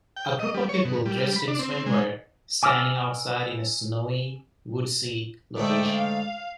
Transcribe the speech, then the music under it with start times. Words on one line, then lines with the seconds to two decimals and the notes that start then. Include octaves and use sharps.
A group of people dressed in swimwear standing outside in a snowy, woodsy location.
0.17 G5
0.39 D#5
0.54 G3
0.69 C#5
0.85 B2
1.06 G3
1.36 B5
1.48 D4
1.59 C4
1.86 G#3
2.63 G#5 D6 E6 F6
5.57 G#2 D3 A3 D5 E5 G5
5.94 F5